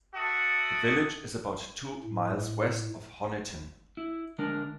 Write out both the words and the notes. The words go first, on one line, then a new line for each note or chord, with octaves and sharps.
The village is about two miles west of Honiton.
F#4 A4 E5 A5 D6 D#6
A2
E4
D3 G#3 D4 A#4